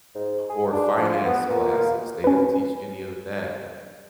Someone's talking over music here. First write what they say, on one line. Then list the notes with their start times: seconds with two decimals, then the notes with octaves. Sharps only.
or finance classes, they didn't teach any of that.
0.15 G#2
0.50 G#4
0.73 D4
0.98 F3
1.25 B3
1.50 A#2
1.71 A#3
2.24 C#4 B4